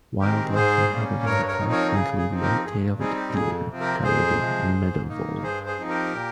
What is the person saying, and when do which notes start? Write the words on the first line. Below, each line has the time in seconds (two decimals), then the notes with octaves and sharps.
Wildlife inhabiting the park include white-tailed deer, coyote, and meadow vole.
0.20 D#3 G#3 C4 G4 A#4
0.55 G#2 G#4 C5
0.90 G3 A#3 C#4
1.25 G2 A#4 C#5
1.48 A#4 C#5
1.60 F3 C4 D#4
1.71 A#4 C#5
1.94 C#3 G#4
2.18 G#4
2.30 F3 C4 D#4
2.41 G4 A#4
2.64 G2 G#4
2.99 G3 C4 D#4 G#4
3.16 G4
3.33 F2 G#4
3.68 C3 F3 C4
3.80 G4 A#4
4.04 F2 G#4 C5
4.39 C3 F3 G#3
4.74 G#2
5.08 D#3 A#3 D#4
5.43 G2 G#4 C5
5.66 G#4 C5
5.78 F3 C4 D#4
5.89 G4 A#4
6.13 A#2